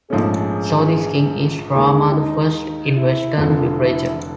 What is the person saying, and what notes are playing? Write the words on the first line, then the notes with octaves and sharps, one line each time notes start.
So this king is "Rama the First" in Western literature.
A#1 G#2 F3 A3 C#4 G#4
D#2 D#3 G#3 G#4
D#4
D#4
E4
F1 F2 D3 F4
E4